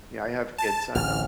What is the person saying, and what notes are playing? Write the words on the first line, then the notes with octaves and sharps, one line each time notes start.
Yeah, I have kids, I know.
A5
D1 A1 F6